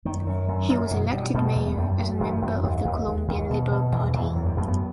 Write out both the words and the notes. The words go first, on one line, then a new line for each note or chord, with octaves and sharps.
He was elected mayor as a member of the Colombian Liberal Party.
F#2 D#3
F#2
F#2
F#2
B2 E3
B2 G3
B2 A3
G3
E2 A3
B3
F#2 G3
F#2
F#2 E3
F#2
D#2
D#2
D#2
D#2
B2
B2
E2 E3
E2 E3
F#2
G3
F#2 A3
B3